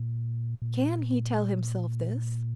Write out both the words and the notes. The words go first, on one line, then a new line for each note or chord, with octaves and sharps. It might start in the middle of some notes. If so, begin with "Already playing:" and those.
Can he tell himself this?
Already playing: A#2
A#2